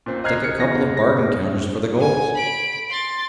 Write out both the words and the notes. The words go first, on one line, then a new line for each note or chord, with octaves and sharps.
Take a couple of bargain-counters for the goals.
A#2 C4
D#5 A#5 F6 F#6 G#6 C7
C#7
E2 B2 A#6
A#6
G#5
B5 D7
C6 A6